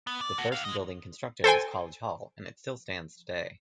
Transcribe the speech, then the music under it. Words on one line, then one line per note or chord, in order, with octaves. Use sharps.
The first building constructed was College Hall, and it still stands today.
B3
D5
F#4 A4
D3 F5
G#3 D#5
A4 C5 G5 G#5